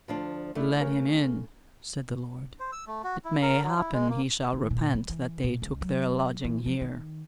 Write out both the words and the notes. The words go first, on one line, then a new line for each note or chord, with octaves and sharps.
Let him in, said the lord, it may happen he shall repent that they took their lodging here.
D2 F3 D4
A3 D4 E4
C#3 A#4 C#5
C5
E6
A3
F#4
E4
A#4
F#3
E4
G#3
A#3
D#3
A#2
G3
E3
A#2
C#2
F#3
E3
F3
D#3